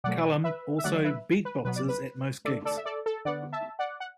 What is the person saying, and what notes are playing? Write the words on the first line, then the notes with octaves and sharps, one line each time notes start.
Cullum also beatboxes at most gigs.
B2 F#3 A3 D5 F#5
B4 E5
E5
D3 F#3 A3 D5 F#5
B4 E5
B4
B2 F#3 B3 B4
D5
B4
D3 A3 A4 D5
A4 D5
E5
A4 D5
A4
D3 B3 D5 F#5
E5 A5
D5 F#5
F#5